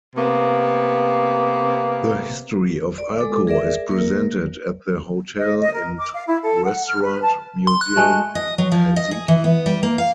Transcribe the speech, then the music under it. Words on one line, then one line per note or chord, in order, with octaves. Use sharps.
The history of Alko is presented at the Hotel and Restaurant Museum in Helsinki.
C3 A#3 B3
D5
G#3 A4 D6
G#4 A#4 D5 E5
A#3 A#4
D#5
D#5
A#4
D6
F5
E4
A4
F#5
F6
B4
A5
C6
F#6
G#3 A3 F#4
D#5
F#3
F3
D#5
G#4
E3
B3
G3
A#3
F5